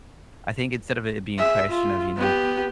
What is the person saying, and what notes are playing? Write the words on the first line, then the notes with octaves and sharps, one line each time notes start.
I think instead of it being a question of, you know
G#4 E5
F4
B3 G4